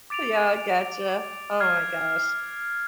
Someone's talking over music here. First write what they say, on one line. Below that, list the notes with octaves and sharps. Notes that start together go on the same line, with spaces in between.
yeah, I gotcha, oh my gosh,
D6 A6 D7 F7
F6 G#6 C7